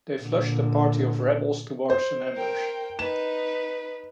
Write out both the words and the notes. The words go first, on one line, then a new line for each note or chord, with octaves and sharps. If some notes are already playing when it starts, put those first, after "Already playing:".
They flushed a party of rebels towards an ambush.
A#2 D3
C5
A#4 G5
D#4 B4 E7